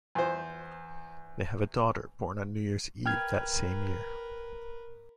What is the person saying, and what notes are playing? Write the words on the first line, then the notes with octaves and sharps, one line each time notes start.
They have a daughter, born on New Year's Eve that same year.
E2 C5
A#4 B4 G5 F6 G#6